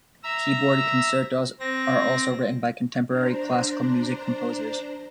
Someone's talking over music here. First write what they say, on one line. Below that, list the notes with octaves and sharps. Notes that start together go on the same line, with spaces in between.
Keyboard concertos are also written by contemporary classical music composers.
E5 A#5 E6
C4 A#6
D4 C5 A#5